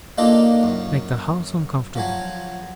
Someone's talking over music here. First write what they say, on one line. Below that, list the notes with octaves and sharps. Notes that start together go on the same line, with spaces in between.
I make the house uncomfortable.
A#3 D4 D#4 F4 A4 A#4
F#2
F3 F#3 G#5